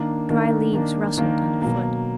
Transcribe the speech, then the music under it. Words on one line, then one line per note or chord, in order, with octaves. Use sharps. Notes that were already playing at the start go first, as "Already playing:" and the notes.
Dry leaves rustled under foot.
Already playing: D#3 A#3 D4
D#3 A#3 D4
D#3 A#3 D4
D#3 A#3 D4
B2 F#3 A#3